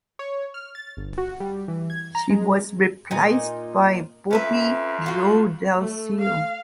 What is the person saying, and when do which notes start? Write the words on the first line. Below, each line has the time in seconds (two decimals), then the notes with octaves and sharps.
She was replaced by Bobbi Jo Dalziel.
0.19 C#5
0.54 F6
0.75 A6
0.97 G1
1.18 F#4
1.40 G3
1.68 E3
1.90 G#6
2.15 A#5
2.30 G#3
3.11 A#2 D#4 D#5
4.31 F2 C#4 B4 E5
5.06 F4 F#4
5.77 A3
6.21 F5